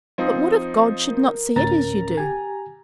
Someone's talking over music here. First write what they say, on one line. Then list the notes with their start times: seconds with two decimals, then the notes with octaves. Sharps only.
"But what if God should not see it as you do?"
0.18 F3 C4 D#4
1.08 A#4
1.56 D2 A2 C#4 A#5 A6
2.17 G4 G#5